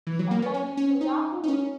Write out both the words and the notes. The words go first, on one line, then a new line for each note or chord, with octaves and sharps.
According to Yahoo!
E3
F#3
A#3
B3
C#4
C#4
D#4
D#4
C#4